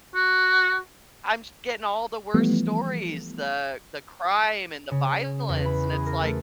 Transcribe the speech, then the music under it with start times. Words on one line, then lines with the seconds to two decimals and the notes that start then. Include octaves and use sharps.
I'm j getting all the worst stories, the the crime and the violence, and it's like,
0.15 F#4
2.34 E3 F3 G3 A3 B3
4.91 C#3
5.49 E2
5.65 B5
5.92 G#4
6.06 A#4
6.22 A3